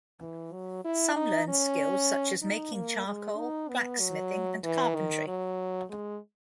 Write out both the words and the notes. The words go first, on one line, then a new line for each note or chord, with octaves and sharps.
Some learned skills such as making charcoal, blacksmithing and carpentry.
E3
F#3
E4
D#4
C#4
D#4
A#3
G#3
D#4
B3
F#3
E3
D#3
F#3
G#3